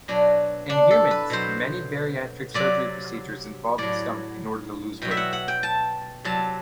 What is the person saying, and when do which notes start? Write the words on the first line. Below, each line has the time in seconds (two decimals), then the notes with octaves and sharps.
In humans, many bariatric surgery procedures involve the stomach, in order to lose weight.
0.08 B2 F#3 D4
0.70 D4
0.91 A4
1.11 B4
1.30 B2 F#3 C5
2.54 C3 F#3 D5
3.78 A2 F#3 D5
5.02 B2 F#3 G5
5.11 E5
5.17 F#5
5.33 F#5
5.48 G5
5.63 A5
6.24 C3 F#3 A5